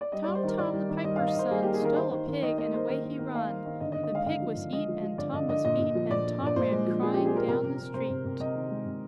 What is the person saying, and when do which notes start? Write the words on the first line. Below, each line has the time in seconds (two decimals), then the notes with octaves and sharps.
Tom, Tom, the piper's son, Stole a pig and away he run; The pig was eat and Tom was beat And Tom ran crying down the street.
0.01 D5
0.12 G3 D#5
0.24 D5
0.28 G3
0.35 C5
0.43 D#3 A#4
0.59 D#3 D5
0.73 G3
0.89 D#3
1.04 G3 D#5
1.16 F5
1.20 D#3
1.28 D#5
1.35 D#3 C5
1.51 G3 G#4
1.62 G4
1.66 A#3
1.74 G#4
1.81 D#3 A#4
1.96 D#3 C5
2.11 D#3
2.27 D#3
2.43 D#3 D#5
2.58 A#3 D#5
2.74 A#3 C5
2.88 D#3 A#4
3.04 D#3
3.19 D#3
3.35 A#3 F5
3.50 A#3
3.66 D#3
3.81 D3 D#5
3.92 D#5
3.96 D3
4.03 D#5
4.12 G#3 F5
4.23 D#5
4.26 D3 F5
4.42 F3
4.57 D3
4.72 G#3 D#5
4.88 F3
5.03 F3
5.18 D3 D5
5.33 D3 D#5
5.49 D3 D#5
5.65 A#2 D#5
5.80 A#2
5.95 F3
6.10 A#2 D5
6.25 A#2
6.42 A#2 D5
6.56 A#2 C5
6.72 G#3
6.87 F3
7.02 F3 G#4
7.14 G4
7.18 F3
7.26 G#4
7.33 F3 A#4
7.48 C3 A#4
7.63 C3
7.79 C3
7.94 C3 C5
8.10 C3
8.25 C3
8.40 C3 D#5
8.55 D#3
8.71 G#3
8.86 C3